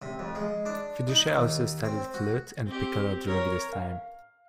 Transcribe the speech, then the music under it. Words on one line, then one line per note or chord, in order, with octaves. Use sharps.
Fiducia also studied flute and piccolo during this time.
C3
F2
G#3
D4
D#4
D#2
C4
F#4
C4 G4
A#4 C#5
F5